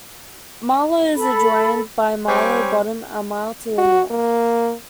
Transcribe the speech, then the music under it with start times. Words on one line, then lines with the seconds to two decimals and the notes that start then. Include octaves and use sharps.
Marlow is adjoined by Marlow Bottom, a mile to the north.
1.16 A4 B5
2.28 G3 C4 C#5 G#5
3.78 F#4
4.11 A#3